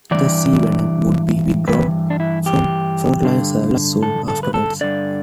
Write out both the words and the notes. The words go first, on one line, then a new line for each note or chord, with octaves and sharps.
The Sea Venom would be withdrawn from frontline service soon afterwards.
G2 E3 D5
G2 E3 B4
D4
E4
G4
G2 D3
A4
A4
B4
A4
G2 D3 D5